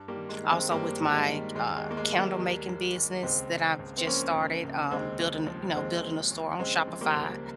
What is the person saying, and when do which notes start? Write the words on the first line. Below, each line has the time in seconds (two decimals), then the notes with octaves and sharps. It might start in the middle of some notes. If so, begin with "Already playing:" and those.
also with my, uh, candle making business that I've just started, um, building, you know, building a store on Shopify.
Already playing: G2
0.08 G3 A#3
0.15 D#3
0.29 G#3
0.44 D#3
0.50 G#3 C4
0.71 G2 G3 A#3
0.99 G2
1.09 G3
1.13 G#3
1.27 D#3
1.55 D#2 G#3
1.77 G#3
1.83 D#2
1.91 A#3
1.97 G#3
2.11 D#2
2.18 G3 A#3
2.39 D#2
2.67 D#2
2.95 D#2
3.23 C#2 G#3 C4
3.51 C#2
3.79 C#2
3.97 C4
4.07 F3 A#3 C#4
4.35 C#2
4.64 C#2
4.91 D#2 G#3 C4
5.19 D#2
5.47 F3
5.75 D#2 G#3 C4
6.03 F3
6.31 D#2
6.59 C#3 G#3 C4
6.87 F3
7.01 G3 A#3
7.16 C#2